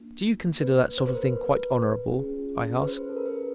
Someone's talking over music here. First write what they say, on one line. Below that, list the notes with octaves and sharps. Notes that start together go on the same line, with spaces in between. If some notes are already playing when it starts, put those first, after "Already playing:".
"Do you consider that sort of thing quite honorable?" I asked.
Already playing: A#3 D4 F4
B4
C5
B4
A#4
B4
C#4 F4 G#4
B4
C5
A4
A#4
B4